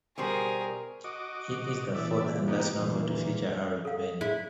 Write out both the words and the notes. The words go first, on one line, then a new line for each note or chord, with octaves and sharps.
It is the fourth and last novel to feature Harriet Vane.
B2 G3 G#4 A#4 C5
F#4 D#5 D6
A#2 C#3 E3 D5 E5
B3 D#4 G4
D#2 A#2 D3 E3
A4 F5
E4 G#4